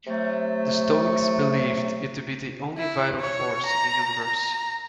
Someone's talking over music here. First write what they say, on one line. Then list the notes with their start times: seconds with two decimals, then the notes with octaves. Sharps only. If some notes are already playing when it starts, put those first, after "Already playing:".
The Stoics believed it to be the only vital force in the universe.
0.07 C3 F#3 A3
2.78 E4
3.20 C#5
3.66 A#5
4.24 A#5